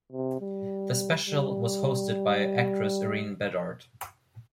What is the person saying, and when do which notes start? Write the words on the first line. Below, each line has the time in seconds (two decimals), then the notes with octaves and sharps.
The special was hosted by actress Irene Bedard.
0.12 C3
0.41 G3
1.27 G3